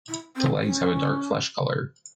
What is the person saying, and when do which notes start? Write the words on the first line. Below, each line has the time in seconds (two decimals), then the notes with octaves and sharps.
The legs have a dark flesh color.
0.08 E4
0.36 C4
0.62 C#4